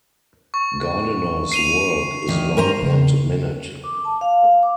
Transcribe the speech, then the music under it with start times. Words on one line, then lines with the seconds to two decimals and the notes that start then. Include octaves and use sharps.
Gardiner's work is long and minute.
0.54 C#6
1.52 C7 D#7 F7
2.28 E2 D#3
2.57 A#4 C5 A#5
2.82 C#3 G#3
3.84 D6
4.05 A5
4.21 F5
4.44 F5
4.63 D6